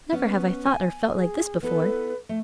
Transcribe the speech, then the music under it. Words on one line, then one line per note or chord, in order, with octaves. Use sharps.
Never have I thought or felt like this before!
B3 C#4
G#5
G#4
B3 E4 A4 B4
A3